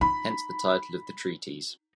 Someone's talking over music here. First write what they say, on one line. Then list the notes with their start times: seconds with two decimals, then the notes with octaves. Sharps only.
Hence the title of the treatise.
0.01 D#4 B5